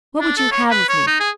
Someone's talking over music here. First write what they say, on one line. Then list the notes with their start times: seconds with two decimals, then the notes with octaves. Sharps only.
What would you have of me?
0.21 D4
0.37 A4
0.52 C#5
0.71 B4
0.89 C#5
1.07 D#4
1.20 G#4